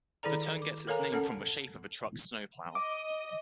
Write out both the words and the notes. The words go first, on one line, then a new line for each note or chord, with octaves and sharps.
The turn gets its name from the shape of a truck's snowplow.
D#3 E4 G#4 A4 D5 A#5
D6
A4 A#4 C#5 F5 G#5 A#5
C#4 A4 F#5 A5
D#5 D6